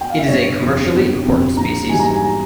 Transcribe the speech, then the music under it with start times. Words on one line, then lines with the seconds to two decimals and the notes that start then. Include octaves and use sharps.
It is a commercially important species.
0.01 G5
0.10 F5
0.19 E5
0.28 G1 C#5
0.60 F2 C3
0.93 G1
1.25 F2 C3
1.57 A#1 A#5
1.89 G#2 E3 G3 G#5
1.99 A#5
2.11 G#5
2.22 A#5